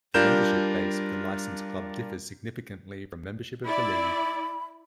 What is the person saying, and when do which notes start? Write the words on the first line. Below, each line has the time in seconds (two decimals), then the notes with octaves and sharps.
The membership base of the licensed clubs differs significantly from membership of the League.
0.14 G3 D4 F4 A#4 G6 E7
3.65 E4 D5 B5